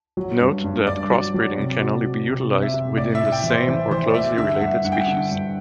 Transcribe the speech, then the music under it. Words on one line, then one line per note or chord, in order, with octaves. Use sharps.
Note that crossbreeding can only be utilized within the same or closely related species.
F#3
G2
G2
G2 D5
F#3
F#3
C3
F#4
F#4
C3
C4
E5
C3
A2 D5
E5
E4
G5
E3
C5
E3
E3 C5
D5
A3 E5
D3 E5
F#5
G2 E5
G2 F#5
G5
F#5
D3
G2